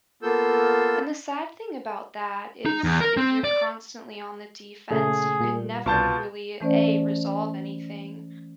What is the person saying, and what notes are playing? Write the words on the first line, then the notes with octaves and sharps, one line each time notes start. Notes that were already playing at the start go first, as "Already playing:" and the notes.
and the sad thing about that is if you're constantly on the defense, you can never really, A, resolve anything,
A#3 B3 F4 A4 E6 G6
D#4
E2
A#4
C4
D5
A#2 C#3 A3 G#4
A#2 G3
C2 B2 F4 A5 G6 A6
E3 A3 C#4 C5 D5